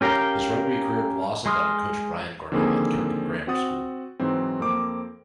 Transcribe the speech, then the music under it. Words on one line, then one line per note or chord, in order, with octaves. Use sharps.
His rugby career blossomed under coach Brian Gornall at Kirkham Grammar School.
C#4 G4 A#4 F5 G5
G#3 C6 D#6 F6
D3 D#3 F3 A#3 C4 G#4
C4 F#4 F#5 D#6 A6
G#2 E3 F#3 C4
F2 A#3 C4 D6